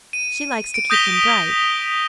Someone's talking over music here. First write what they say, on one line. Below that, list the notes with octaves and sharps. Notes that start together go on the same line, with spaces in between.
She likes to keep them bright.
D#7
D7
D#6 G6 A#6 B6 F7 G7